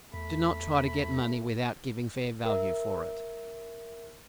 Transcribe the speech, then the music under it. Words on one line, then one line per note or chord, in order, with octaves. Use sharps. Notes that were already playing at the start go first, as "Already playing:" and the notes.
Do not try to get money without giving fair value for it.
E2 A3 B5
A#4 E5